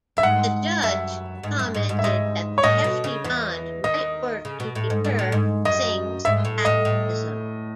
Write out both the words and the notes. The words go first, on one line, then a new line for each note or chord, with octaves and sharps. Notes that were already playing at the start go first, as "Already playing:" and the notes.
The judge commented that the "hefty bond" might work to deter Singh's activism.
F#2 E5
G#2 F#5
F#2 E5
G#2
F#2
G#2
G#2
E5
G#2 D#5
C#5
A2 D#5
B2
C#3
E2 E3
D#2 D#3 D#5
C#3
B2
A2
G#2
G#2
A2
G#2
F#2 D#5
G#2 E5
A2
A2 D#5
A2